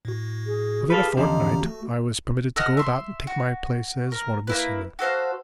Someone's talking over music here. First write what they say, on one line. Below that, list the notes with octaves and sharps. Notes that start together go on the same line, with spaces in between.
Within a fortnight I was permitted to go about and take my place as one of the seamen.
A2 F#4
G#4
F4 G4 A4 B4
E2 D3 F3 C#4 G4 D#5 A#5
A3 F#4
A4 D#5 F#5 F6
E5 C6
F#4
A#4
A#3 E4 B4
F#4 A4 C5 F5